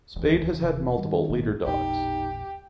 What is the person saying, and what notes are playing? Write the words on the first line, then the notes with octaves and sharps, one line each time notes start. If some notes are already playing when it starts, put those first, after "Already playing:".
Spade has had multiple Leader Dogs.
D#1 C#2 E3
D#1 C3
D#3 G3
G#1 A#2 A#3
A1 E2 A#2 D#4 G4